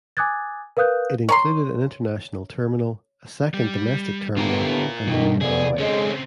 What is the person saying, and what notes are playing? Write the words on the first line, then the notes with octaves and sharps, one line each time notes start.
It included an International Terminal, a second Domestic Terminal, and a new runway.
G#5 D6 D#6 F#6 G#6 A6
A#4 B4 F5 D#6 F#6 G6
C#5 A#5 C6
G3
A2 D3 B3 F4 G4 A#4 A#5
B2 D#3 G3
D#2 C3 B3 G#4 A4 D5
C#3 G#3 C4 G#4 A4 C#5